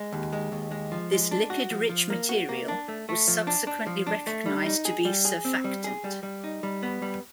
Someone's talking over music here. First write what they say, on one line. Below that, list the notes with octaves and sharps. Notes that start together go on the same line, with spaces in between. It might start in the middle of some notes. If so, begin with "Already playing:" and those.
This lipid rich material was subsequently recognized to be surfactant.
Already playing: G#3
D#2
G#3
D#2
G#3
F3
G#3
D4
F#4
F3
F3
A#3
F#4
A#3
D4
A3
A3
F3
D4
D4
F3
D4
A3
G3
D#4
G#4
G3
G#4
C4
G3
G#4
G3
G3
D#4
G3
B3
G3